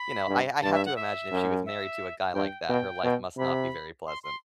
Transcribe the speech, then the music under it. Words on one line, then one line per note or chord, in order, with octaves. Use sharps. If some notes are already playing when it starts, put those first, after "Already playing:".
you know, I I have to imagine if she was married to a guy like that, her life must not be very pleasant.
Already playing: B5
G2
G2 A5
E5
F#5
E5
F#2
E5
G2 G5
B2 G5
B2
C3 B5
C6
C6